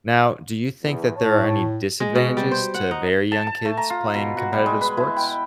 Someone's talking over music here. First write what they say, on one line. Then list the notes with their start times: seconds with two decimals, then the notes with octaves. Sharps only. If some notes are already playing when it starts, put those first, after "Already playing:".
Now, do you think that there are any disadvantages to very young kids playing competitive sports?
0.83 E2
1.16 A2 C#5 A5
2.00 G#3
2.15 B2
2.37 G3
2.51 C5
2.74 F#5
2.91 D#4
3.32 A5
3.47 A5
3.65 A3
3.77 A#5
3.90 F4
4.14 B2
4.37 F#4
4.53 G3
4.66 G#3
4.81 B4
4.97 E4
5.17 G5